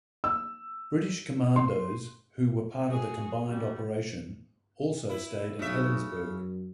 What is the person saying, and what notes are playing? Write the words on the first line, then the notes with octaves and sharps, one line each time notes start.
British commandos who were part of the combined operation also stayed in Helensburgh.
E6
C6
F#4 G#4
G3 F#4
E4
B1 C#3 E5
F#2